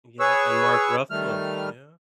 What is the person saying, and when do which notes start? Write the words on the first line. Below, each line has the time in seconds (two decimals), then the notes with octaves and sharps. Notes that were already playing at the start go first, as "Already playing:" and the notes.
Yeah, and Mark Ruffalo. Yeah.
0.20 G#4 B4 C#5 C#6 E6
1.11 D#3 G3 A3 F6